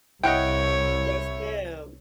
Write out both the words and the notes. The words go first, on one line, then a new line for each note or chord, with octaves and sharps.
Yes, ma'am.
C2 E4 C#5 D#5 F#5 G5 D7